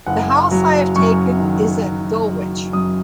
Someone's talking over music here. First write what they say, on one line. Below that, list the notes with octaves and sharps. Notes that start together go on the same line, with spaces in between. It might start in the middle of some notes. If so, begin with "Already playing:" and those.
The house I have taken is at Dulwich.
F#1 F#5
F#3
F#2 C#6
D#3
F#1
F#3
F#2 D#6